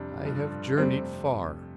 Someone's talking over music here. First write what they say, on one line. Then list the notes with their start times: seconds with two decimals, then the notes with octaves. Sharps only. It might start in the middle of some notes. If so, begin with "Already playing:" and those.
I have journeyed far.
Already playing: F2 C3 G3 D4
0.25 G2 F3 D4 F4 A4
0.78 F2 C3 G3 A3 C4